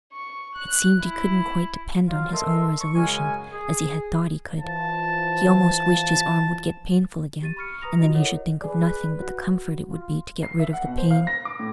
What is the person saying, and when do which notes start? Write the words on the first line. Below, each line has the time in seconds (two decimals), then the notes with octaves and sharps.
It seemed he couldn't quite depend on his own resolution, as he had thought he could; he almost wished his arm would get painful again, and then he should think of nothing but the comfort it would be to get rid of the pain.
0.11 C#6
0.55 F#6
1.02 E4
2.08 F#3 F4 F5
2.32 A4 A#4 D#5 E5 C6
2.80 C#6
2.96 F#2 C#3 G#3 C#4 G#5
3.53 G#4
4.59 E3 F3 A5
7.42 G4 A6 D#7
7.57 B5 C#6 F6 C#7
7.82 B4 A#5 D#6 A#6 F7
7.99 F4 F#4 D#5
8.14 E4 A4 A#4 C#5 D#5 F#5
8.62 G#4 B4 D5
9.22 F#4
9.87 F4
10.43 C7
10.59 E5
10.73 F#5
10.87 B2
10.98 C5
11.11 F5
11.27 A#6
11.45 D6
11.59 A2